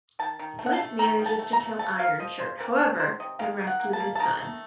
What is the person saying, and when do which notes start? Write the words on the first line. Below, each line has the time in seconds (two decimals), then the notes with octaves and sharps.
Flint manages to kill Ironshirt, however, and rescue his son.
0.19 D#3 A5
0.39 D#3
0.59 A3
0.66 F#5
0.72 A5
0.79 A3
0.99 D#3 A#5
1.19 D#3
1.26 A5
1.39 A3
1.53 A#5
1.59 A3
1.79 C#3 A5
1.99 A#3 F5
2.20 F3 D#5
2.39 C#3 C5
2.60 C3 A#4
2.79 F#3 C#5
2.99 D#3 C5
3.20 C3 D#5
3.39 D#3 F5
3.60 D#3
3.67 F#5
3.80 A#3
3.93 A5
4.00 A#3
4.15 A5
4.20 D#3 A#5
4.40 A3